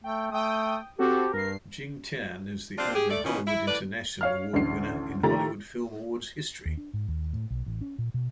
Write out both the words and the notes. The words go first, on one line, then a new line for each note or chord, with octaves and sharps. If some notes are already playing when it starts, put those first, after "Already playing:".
Jing Tian is the only Hollywood International Award winner in Hollywood Film Awards history.
A3 G5
A3 G5 D#6
C4 F#4 G4 A4
G2 A#4 C7
C4 D4 F4 G4
G4 G#4
A3 D5
B2 D#3 E3 C#4 F4
E4
A2 B4 D5
C#5 F5 F6
A1 D2 D3 D5 C7
D#3 F3 A3 G4 A#5 A6
D#2
D4
G#2
D#2
A2
B1
A1
C#4
A#2
B2